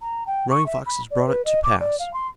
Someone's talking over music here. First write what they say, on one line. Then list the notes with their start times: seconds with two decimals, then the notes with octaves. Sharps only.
Running Fox has brought it to pass.
0.01 A#5
0.27 G5
0.50 C#6
0.66 E5
0.86 B5
1.10 D5
1.26 B4
1.45 D#5
1.63 D6
1.80 D5
1.99 F5
2.13 C6